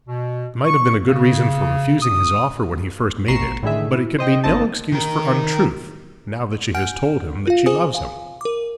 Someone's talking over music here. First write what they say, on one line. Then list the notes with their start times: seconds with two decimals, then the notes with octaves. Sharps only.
"That might have been a good reason for refusing his offer when he first made it; but it can be no excuse for untruth, now that she has told him that she loves him!"
0.07 B2
0.65 C#6
1.06 C#3
2.01 D#6
3.28 A1 B2 A#5 C#6 C7 E7
3.63 A2 D3 D#3 G#4 E5
3.93 E4
4.19 C5 D#5 G5
4.44 G#1 A3 C4 D#4 D#5 A5
4.92 D#3 A#4
6.75 F#5 G#5 F6 G6 D7
7.47 F4 F5
7.66 G#4 C5 G#5 D#6
7.95 F5 G#5
8.41 A#4 D6